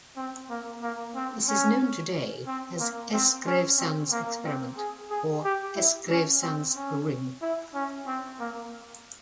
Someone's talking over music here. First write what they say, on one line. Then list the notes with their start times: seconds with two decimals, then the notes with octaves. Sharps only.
This is known today as "'s Gravesande's experiment" or "'s Gravesande's ring".
0.17 C4
0.50 A#3
0.82 A#3
1.15 C4
1.48 C#4
2.47 C4
2.80 A#3
3.13 C4
3.46 C#4
3.79 C4
4.12 A#3
4.45 C4
4.77 G#4
5.10 G#4
5.44 G4
5.76 E4
6.10 C#4
6.42 C4
6.75 C#4
7.42 E4
7.74 C#4
8.07 C4
8.39 A#3